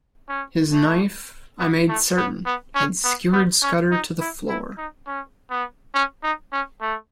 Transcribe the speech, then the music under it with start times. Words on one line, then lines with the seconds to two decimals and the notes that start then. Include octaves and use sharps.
His knife, I made certain, had skewered Scudder to the floor.
0.29 C#4
0.72 A3
1.59 B3
1.88 A3
2.17 B3
2.46 B3
2.75 C#4
3.04 B3
3.33 B3
3.62 C#4
3.91 D#4
4.20 E4
4.49 E4
4.78 D#4
5.07 C#4
5.51 B3
5.94 C#4
6.23 D#4
6.52 C#4
6.81 A3